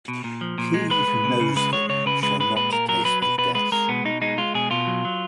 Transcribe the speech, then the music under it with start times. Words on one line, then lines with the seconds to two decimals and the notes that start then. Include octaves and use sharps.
He who knows them shall not taste of death.
0.08 B2
0.24 A#2
0.41 F3
0.58 A#2
0.74 G#3
0.90 G#3 B4
1.08 G#3
1.24 C#3
1.40 C#3
1.56 G#3 B4
1.73 G#3 C#5
1.89 C#3 C#5
2.06 C#3 B4
2.23 G#3 B4
2.40 G#3 B4
2.55 A#2 B4
2.73 A#2 A#4
2.89 F#3 A#4
3.05 F#3 B4
3.22 B2 B4
3.38 B2 B4
3.55 G#3 B4
3.72 G#3 A#4
3.89 B2 B3
4.04 B2 D#4
4.22 G#3 D#4
4.38 G#3 F4
4.54 B2 G#4
4.71 B2 F4
4.87 F#3
5.05 F#3